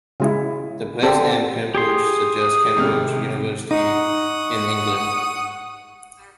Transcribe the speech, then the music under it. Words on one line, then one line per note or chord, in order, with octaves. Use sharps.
The place name Cambridge suggests Cambridge University in England.
C#3 G#3 E4
D3 C4 G4 A4
G4 G#4 C6 D#6
G#1 C3 F6
D#4 F#5 C#6 D#6